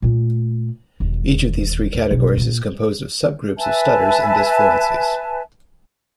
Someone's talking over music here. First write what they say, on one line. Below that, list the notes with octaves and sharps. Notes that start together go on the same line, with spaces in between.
Each of these three categories is composed of subgroups of stutters and dysfluencies.
A#2 A3
E1 D#2
D2
F1 B1
A#2 A#3
B4 E5 G#5 A5